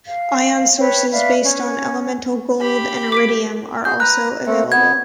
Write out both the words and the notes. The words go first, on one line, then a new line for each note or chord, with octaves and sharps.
Ion sources based on elemental gold and iridium are also available.
F5
B4 C#5 G5
B4 D5 E5 F5
C#4
G4 B5
D6 B6 D7
F#4 G#4 G6
B4 A#5 F#6
A3 C4
B3 G#6